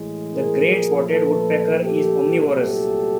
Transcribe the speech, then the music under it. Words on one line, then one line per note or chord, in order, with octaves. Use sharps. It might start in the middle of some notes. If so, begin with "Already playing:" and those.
The great spotted woodpecker is omnivorous.
Already playing: A2 E3 G#3
G#4 A#4
A#2 F3 A3
A4 B4
G4 A4
C2 A#2 F#3 A3
G4 A4